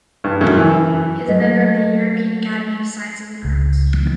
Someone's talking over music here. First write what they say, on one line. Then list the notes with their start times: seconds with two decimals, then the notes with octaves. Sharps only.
He is a member of the European Academy of Sciences and Arts.
0.24 G2
0.41 F#2
0.57 E3
1.28 F#3 A3 A#3 D#5
3.45 C#2